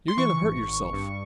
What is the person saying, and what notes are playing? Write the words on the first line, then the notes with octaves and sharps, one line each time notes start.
You're going to hurt yourself.
C6
E3 C#6
G#1
G#1
G2